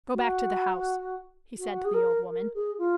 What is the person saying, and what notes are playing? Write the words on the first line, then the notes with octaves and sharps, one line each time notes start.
"Go back to the house," he said to the old woman.
F#4
F#4
G#4
A#4
A#4
G#4
F4